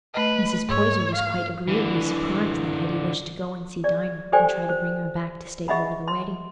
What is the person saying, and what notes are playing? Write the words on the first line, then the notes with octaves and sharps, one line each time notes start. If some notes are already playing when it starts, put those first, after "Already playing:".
Mrs. Poyser was quite agreeably surprised that Hetty wished to go and see Dinah and try to bring her back to stay over the wedding.
A3 B4 D#5
G#2 C#5 E6
F5
D3 E3
G#4 D5
G4 A4 C5 D5 G5 G#5
C5
G#4 D#5 E5 F#5 B5
C6